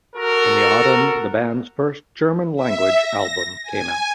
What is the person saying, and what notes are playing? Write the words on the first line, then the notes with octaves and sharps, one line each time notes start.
In the autumn the band's first German-language album came out.
F#4 A4 A#4
E5
A#6
G#5